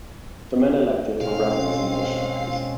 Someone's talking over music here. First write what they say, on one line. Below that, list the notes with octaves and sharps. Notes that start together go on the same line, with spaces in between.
The men elected were rebels and bushwhackers.
B2 G#3 C4 C#4 F5